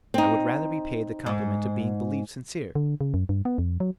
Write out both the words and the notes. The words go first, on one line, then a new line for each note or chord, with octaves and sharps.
I would rather be paid the compliment of being believed sincere.
C4 D#4
G#2
D3
C#3
F#2
G2
B3
F2
F#3